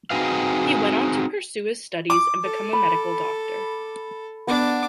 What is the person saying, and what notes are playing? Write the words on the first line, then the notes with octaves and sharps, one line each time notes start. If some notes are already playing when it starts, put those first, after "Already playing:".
He went on to pursue his studies and become a medical doctor.
C4 D#4 F#4 G#4 B4 F5
D6
A4
B5
B3 D4 D6